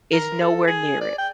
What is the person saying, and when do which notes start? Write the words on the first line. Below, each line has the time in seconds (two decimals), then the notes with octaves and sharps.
is nowhere near it.
0.13 A#4
0.41 A4
0.67 G#4
1.01 D5
1.18 G5